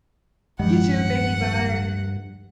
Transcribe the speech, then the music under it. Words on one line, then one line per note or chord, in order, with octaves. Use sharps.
You, too. Thank you. Bye.
D1 G2 D#3 F3 G3 G#3 F#5